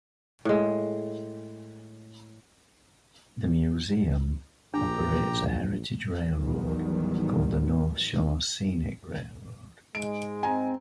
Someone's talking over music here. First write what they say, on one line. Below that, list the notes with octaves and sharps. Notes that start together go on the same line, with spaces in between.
The museum operates a heritage railroad called the North Shore Scenic Railroad.
A2 G#3
A#1 D4 G4 G5 A#5
A1 B2 F3
E2 A#2 F#3
A1 E2 A2 D#3 F#3 G3
G#2 G#3 D7
C4 G#5 A#5